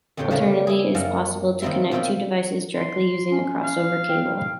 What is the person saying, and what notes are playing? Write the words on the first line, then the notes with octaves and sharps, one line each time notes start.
Alternatively it is possible to connect two devices directly using a crossover cable.
F2 A#2 D3 G4 C#5 G5
C#3 F3 A3 A#3 F#4 C5
E4 G#4
F#2 G3 A#3 F5 F#5
D#3 G3 A#3 C4 E4
B2 A#3 F4 E5 G5 B5
C6
C#4
F5
G5
F5